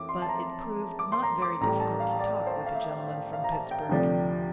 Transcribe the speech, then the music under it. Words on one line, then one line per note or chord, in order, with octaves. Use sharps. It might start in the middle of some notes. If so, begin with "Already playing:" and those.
But it proved not very difficult to talk with the gentleman from Pittsburg.
Already playing: F2 E3 C4 E5 D6
C6
A5
A#5
D6
C6
A#5
D6
A1 A2 G3 A#5
A5
F5
D5
C5
F5
E5
F5
A#5
A5
G5
D2 C3 F3 A3 D4